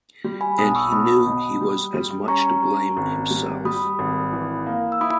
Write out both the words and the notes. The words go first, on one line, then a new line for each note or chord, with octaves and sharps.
And he knew he was as much to blame himself.
G3
G#5 B5
B1 B5 D#6
C#6 E6
B1 B5 D#6
B2
G3
G3
C#4 A#5 C#6
C#4
G#1
G3
G3 B5 D#6
G#1
E3
A#3
E6
E4 B5 D#6